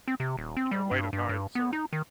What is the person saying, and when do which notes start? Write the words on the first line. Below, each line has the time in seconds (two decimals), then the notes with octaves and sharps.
you know, late at night. So
0.08 C4
0.20 C3
0.37 D#1
0.57 C4
0.71 G3
0.91 G2
1.13 G2
1.29 G2
1.55 B3
1.73 D#4
1.93 D#3